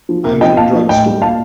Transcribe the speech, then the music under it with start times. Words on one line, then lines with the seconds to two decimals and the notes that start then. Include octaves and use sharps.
I'm in a drugstore.
0.09 F3
0.25 A#2 A#4
0.41 F3 D#5 G5
0.57 A#2 F5 A5
0.73 F3
0.89 A2 D#5 G5
1.06 G3
1.22 A#2 F5 A5